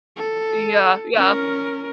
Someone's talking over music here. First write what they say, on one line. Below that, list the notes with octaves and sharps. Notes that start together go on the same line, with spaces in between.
Yeah, yeah.
A4
C#4 A#4